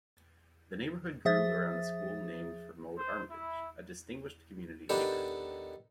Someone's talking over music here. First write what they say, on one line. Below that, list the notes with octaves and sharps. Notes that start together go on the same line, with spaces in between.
The neighborhood grew around the school named for Maude Armatage, a distinguished community leader.
F3 G#4 E5 D#6 A6
C5
E4
D#3 B3 D4 G4 A4